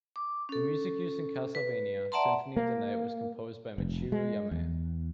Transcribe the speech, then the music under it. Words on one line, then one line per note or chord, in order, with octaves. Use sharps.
The music used in "Castlevania: Symphony of the Night" was composed by Michiru Yamane.
D6
C#4 A4
B4
D5 E5 F#5 A5 A#5 C6
A#3
F1
G#3
E2